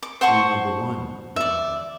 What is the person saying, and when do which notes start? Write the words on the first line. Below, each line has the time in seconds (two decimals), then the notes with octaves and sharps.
"Clue number one!" he muttered.
0.03 D6
0.21 C5 F#5 A5 C#6
1.36 D5 E5